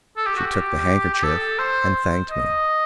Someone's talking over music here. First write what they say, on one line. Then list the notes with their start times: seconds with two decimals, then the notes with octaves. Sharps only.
She took the handkerchief and thanked me....
0.17 A4
0.26 G4
0.37 F#4
0.47 G4
1.14 G4
1.23 A4
1.59 C5
2.31 D#5